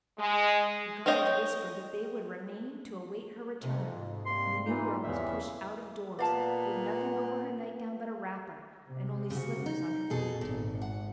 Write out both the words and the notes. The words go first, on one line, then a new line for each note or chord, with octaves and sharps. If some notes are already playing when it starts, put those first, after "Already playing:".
The guards whispered that they would remain to await her return, and the new girl was pushed out of doors, with nothing over her nightgown but a wrapper, and only slippers on her feet.
G#3
C4 C5 C#5 D#5 G5
G#1 F2 C3
G#2
C3 G3 A#3 C6
A#2 E3 D#4 F4
E2 C#3 G3 E5
A#2 B3 D5 F5 A5
C3
C#3 F#4
D#4
F2 B2 G#4 A4
G#1 A#2
F#5